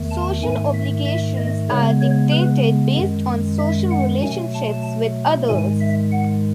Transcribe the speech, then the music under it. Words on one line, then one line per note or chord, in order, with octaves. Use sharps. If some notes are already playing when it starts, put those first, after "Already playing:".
Social obligations are dictated based on social relationships with others.
Already playing: E2 D#3 A3
A5
G#2 D#3 A3 G#5
E5
E5
D#5
C#3 G#3 B3 C#5
C#5
B4
F#2 D#3 G#3
E5
F#5
B2 F#3 A3 G#5
A5
G#2 D#3 G#3 G#5
E5
F#5